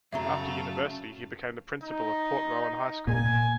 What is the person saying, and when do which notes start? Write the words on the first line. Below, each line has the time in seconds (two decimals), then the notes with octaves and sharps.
After University he became the Principal of Port Rowan High School.
0.13 F#2 C#3 F#3 A3 E5 F5 A#5
1.83 D#4
3.07 A#2 G#5